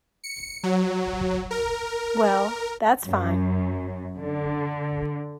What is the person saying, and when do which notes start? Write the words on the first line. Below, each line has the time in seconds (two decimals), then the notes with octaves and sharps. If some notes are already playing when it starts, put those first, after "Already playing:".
Well, that's fine.
0.24 C#7
0.63 F#3
1.51 A#4
3.05 F#2
4.17 D3